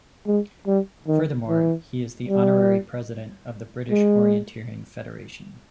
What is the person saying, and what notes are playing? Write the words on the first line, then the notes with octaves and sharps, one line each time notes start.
Furthermore, he is the Honorary President of the British Orienteering Federation.
G#3
G3
D#3
E3
G3
G#3